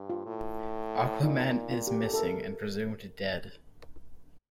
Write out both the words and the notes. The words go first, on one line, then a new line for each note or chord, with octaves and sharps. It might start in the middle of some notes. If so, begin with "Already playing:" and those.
Aquaman is missing and presumed dead.
Already playing: G2
F4
A2
A#2 D#4
F4
G4
A4
A4
A#4